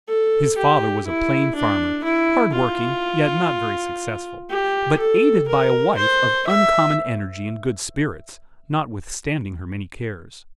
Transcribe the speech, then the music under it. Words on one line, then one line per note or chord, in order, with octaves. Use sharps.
His father was a plain farmer, hard-working, yet not very successful, but aided by a wife of uncommon energy and good spirits, notwithstanding her many cares.
A4
G4
E4
D4
E4
F4
G4
A4
A#4
C5
E5